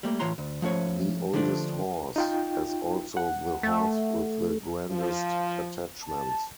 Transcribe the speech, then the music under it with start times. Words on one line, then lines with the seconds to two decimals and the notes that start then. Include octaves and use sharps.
The oldest horse as also the horse with the grandest attachments.
0.03 G3 A3 A#3
0.20 A2 E3 F4 C#5 A#5 C6
0.38 D2
0.62 F3 A3 C#4 C#5
1.33 D3 F3 A3 C#4 D4
2.16 D#4 F4 G5
3.17 F#5
3.63 A3
4.90 F3
6.02 A5